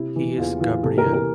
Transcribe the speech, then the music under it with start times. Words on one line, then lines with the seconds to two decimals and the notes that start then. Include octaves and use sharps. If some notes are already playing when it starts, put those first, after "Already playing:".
He is Gabriel.
Already playing: C3 E4
0.16 E3
0.38 E2 F4
0.61 E3 F4
0.83 C3 A4
0.98 A#4
1.06 E3
1.13 A#4